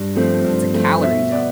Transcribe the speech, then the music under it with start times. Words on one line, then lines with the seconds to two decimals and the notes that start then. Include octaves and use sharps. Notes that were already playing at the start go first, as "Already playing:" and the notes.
it's a calorie dump.
Already playing: G2
0.15 F3 A3 C4
0.44 G2
0.74 F3 A3 C4
1.02 B2 E5
1.32 B3 D5